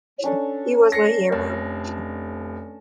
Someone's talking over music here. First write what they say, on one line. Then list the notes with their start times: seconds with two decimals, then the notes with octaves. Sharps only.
He was my hero.
0.24 C#4 D4 A4
0.92 A#6 C7 C#7
1.32 F1 A5